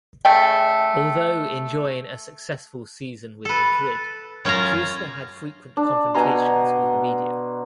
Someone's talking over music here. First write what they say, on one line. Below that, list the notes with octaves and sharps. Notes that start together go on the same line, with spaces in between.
Although enjoying a successful season with Madrid, Schuster had frequent confrontations with the media.
C#3 A3 G5
A4 B4
F#2 C#4 F4 F5 A#5
D4
B2 G#5 A#5 C6